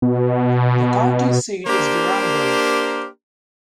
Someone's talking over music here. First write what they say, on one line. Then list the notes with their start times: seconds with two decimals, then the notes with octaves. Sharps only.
The county seat is Durango.
0.02 B2
1.67 A#3 D4 G4 A#4 C5